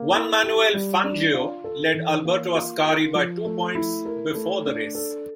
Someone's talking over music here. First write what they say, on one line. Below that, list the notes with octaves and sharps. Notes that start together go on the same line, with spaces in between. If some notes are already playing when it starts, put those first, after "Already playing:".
Juan Manuel Fangio led Alberto Ascari by two points before the race.
Already playing: A#3
E4
G4
G3
D4
F4
A4
E3
A#3
F4
A#4
F3
A3
E4
A#4
A3
D4
A4